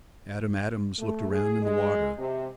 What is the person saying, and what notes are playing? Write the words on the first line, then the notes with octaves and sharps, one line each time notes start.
Adam Adams looked around in the water.
A3
G#4
G#3
C3